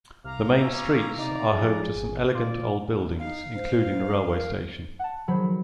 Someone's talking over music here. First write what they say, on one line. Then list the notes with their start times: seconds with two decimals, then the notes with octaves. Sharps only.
The main streets are home to some elegant old buildings, including the railway station.
0.24 C2 F5 A#5 D6 F6
0.61 B2 C#4 E6
1.18 C3 D#4 D5
1.53 F3 G#4
1.95 G#1
2.35 A#2 F4 D5
3.19 D#4 F5
3.55 C5
4.34 A#4
4.99 F#5 A5
5.28 D#3 F#3 C5 B5